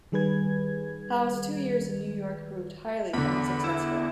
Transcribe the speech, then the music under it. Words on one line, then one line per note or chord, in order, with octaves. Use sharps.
Howe's two years in New York proved highly unsuccessful.
D#3 G3 G#4 B4 G#6
E2 D3 B5
E4